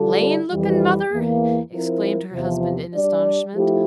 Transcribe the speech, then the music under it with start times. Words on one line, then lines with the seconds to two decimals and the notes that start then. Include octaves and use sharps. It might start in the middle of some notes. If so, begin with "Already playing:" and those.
"PLAIN LOOKING, mother?" exclaimed her husband in astonishment.
Already playing: D3 G3 D4 F4 A4
0.51 F2 E3 G3
1.11 E2 E3 A#3
1.72 F3 C4 E4 A#4
2.32 E2 C3 F3
2.94 G3 D4 G4 D5
3.53 F3 A3 E4 G4